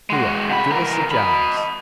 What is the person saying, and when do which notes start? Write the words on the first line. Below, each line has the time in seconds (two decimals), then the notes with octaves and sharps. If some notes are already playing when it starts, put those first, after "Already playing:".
"Here, give us a james."
0.10 G#3 F#4
0.50 C3 B5
0.70 E3 A#4
1.11 D#5 B5